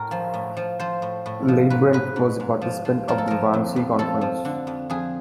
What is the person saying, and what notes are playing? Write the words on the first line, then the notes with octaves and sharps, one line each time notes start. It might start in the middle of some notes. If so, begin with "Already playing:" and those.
Leibbrandt was a participant of the Wannsee Conference.
Already playing: A2 A#4
F3
A2
F3
F3 C5
A2
A2
F3
G#2 B4
G#2 B4
G#2
G#2
F3
F3
F3 A#4
A4
F3 A#4
F2
F2
F3 A4
F3
D3
F2
F2 G#4